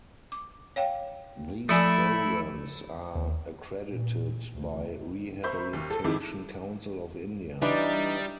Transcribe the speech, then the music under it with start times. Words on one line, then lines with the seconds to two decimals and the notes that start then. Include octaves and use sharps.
These programs are accredited by Rehabilitation council of India.
0.32 D6
0.76 C#5 F5 G5
1.69 F3 A3 E4 D5 G#5
3.15 D#2
3.89 A#2
4.54 D2
5.43 A#4 C5 E5 B5 C#6 G6
5.73 D#2
5.90 A4
6.04 F2 D#3 G#3 E4 D6
7.62 E3 G3 D4 D#4